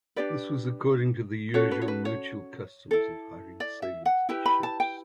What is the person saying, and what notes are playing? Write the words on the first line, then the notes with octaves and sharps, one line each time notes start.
This was according to the usual mutual customs of hiring sailors and ships.
D4 G4 B4 D5
C#4 F#4 A4 C#5
B4
C#5
B4
C#5
E4 A4
D5
E5
F#5
E4 G4 B4 G5
B5
A5
G5